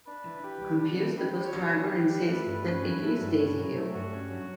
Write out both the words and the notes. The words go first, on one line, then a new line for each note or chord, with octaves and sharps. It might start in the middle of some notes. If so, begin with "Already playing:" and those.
Confused, the bus driver insists that it is Daisy Hill.
D4 B4
E3
G4
G3
D4
E3
G4 B4
G3
C#5
D4
E3 B4
G4
G3
A3
G2
C#4
F#3
A3
G2
C#4
F#3
A3
G2 F#4
C#4
F#3